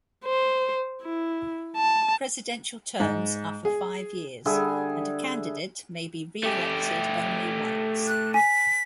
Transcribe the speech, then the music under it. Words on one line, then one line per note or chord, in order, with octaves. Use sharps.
Presidential terms are for five years, and a candidate may be re-elected only once.
C5
E4
A5
G#2
G#4
D3 G3 G#4 E5
A3 G4
F#6
G#5 B6